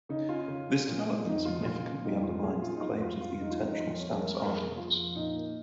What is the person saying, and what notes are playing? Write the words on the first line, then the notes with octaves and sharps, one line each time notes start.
This development significantly undermines the claims of the intentional stance argument.
C#3 D#4
C#4 F4
C#3
C#4
A#2
G#3
F2 D#4
F3 F4
A#2 F4
C#4
F2 D#4
G#3 F4
A#2 G#4
C#4 F4
D#4
F2 F4
G#3 F4
F2 F4
G#3 D#4
F4
F2 D#4
D#4
F3 F4
F2 C#5
G#4
G#3 A#4
F2 A#4
A#3 G#4
F2 F4
F3
A#2 D#4
A#3